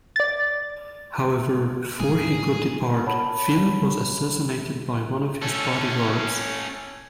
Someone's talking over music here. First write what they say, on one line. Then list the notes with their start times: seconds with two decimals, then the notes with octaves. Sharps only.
However, before he could depart, Philip was assassinated by one of his bodyguards.
0.16 D5 A6
2.00 A2 G3 D#4 G#4
3.06 A#4 C#5 F#5 A5 B5
5.42 C#4 A4